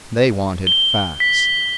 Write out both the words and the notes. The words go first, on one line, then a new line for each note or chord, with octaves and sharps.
They wanted facts.
G7
B6